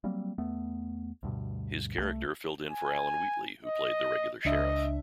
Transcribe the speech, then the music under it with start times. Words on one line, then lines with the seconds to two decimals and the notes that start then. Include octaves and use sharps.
His character filled in for Alan Wheatley, who played the regular sheriff.
0.04 F#3 G3 A#3 C4
0.38 E2 A3 B3
1.23 D2 G2 B2
1.98 C2 F3 A3
2.71 G#5
3.65 D#5
4.45 C#2 D4 D#5 E5